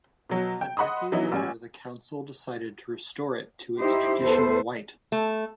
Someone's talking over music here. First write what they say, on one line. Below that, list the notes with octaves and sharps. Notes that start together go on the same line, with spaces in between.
A decade later the council decided to restore it to its traditional white.
B2 F#3
G5
D#5 F#5 B5 C6 D#6
E3 F#3 B3 D#4 E4
A1 G3 G#5
D#4 E4 G4 C5
E2 A4 B4 C5
A3